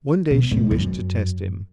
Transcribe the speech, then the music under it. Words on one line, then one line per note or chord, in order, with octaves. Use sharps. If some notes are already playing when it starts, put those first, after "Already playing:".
One day she wished to test him.
B2
A2
F#2